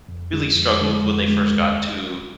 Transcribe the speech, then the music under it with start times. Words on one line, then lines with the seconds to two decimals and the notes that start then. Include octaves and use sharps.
really struggled when they first got to
0.08 F2
0.33 D3 G#3
0.55 F2
0.80 D3 G#3
1.04 F2
1.28 D3 G#3
1.51 D#2